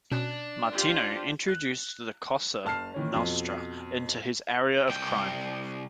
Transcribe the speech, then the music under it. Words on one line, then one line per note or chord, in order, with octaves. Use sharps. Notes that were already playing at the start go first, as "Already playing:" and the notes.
Martino introduced the Cosa Nostra into this area of crime.
B2 C#4 D4 F#6
F4 G4 C5
F#6
F#1 A5 F6 C7
D#3 E3 C#4
F2 B2
C2 G5